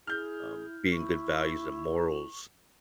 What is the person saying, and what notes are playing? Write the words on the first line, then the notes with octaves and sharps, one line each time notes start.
um, being good values and morals,
E4 G#4 F6 G6
E4 C#6